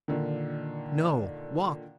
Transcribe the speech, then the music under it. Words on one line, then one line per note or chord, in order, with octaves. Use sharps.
No. Walk.
A#2 D3 D#3